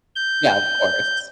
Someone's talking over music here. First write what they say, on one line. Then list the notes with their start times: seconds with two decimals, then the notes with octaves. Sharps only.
Yeah, of course.
0.16 G6